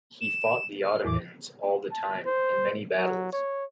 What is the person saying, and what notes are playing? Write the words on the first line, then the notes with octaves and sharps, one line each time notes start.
He fought the Ottomans all the time in many battles.
E7
F6
E2 A2 E3 D6
A5
C5
F#3
C#5